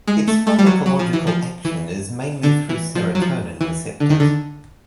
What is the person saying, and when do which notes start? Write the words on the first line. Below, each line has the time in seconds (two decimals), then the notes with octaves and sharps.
Its pharmacological action is mainly through serotonin receptors.
0.08 G#3
0.28 A3
0.47 A3
0.59 G3
0.67 F#3
0.86 F#3
0.99 F3
1.13 E3
1.27 F3
1.65 E3
2.43 D3
2.69 E3
2.95 F3
3.15 F#3
3.22 F3
3.61 E3
4.00 D3
4.10 D#3
4.20 D3